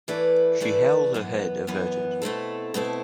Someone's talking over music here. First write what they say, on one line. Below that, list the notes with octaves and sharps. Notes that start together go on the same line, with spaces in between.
She held her head averted.
E3 A3 E4 B4 D5
E3 A3 E4 B4 D5
F#2 E3 B3
F#2 E3 B3
B2 A3 C4 E4 A4
B2 A3 C4 E4 A4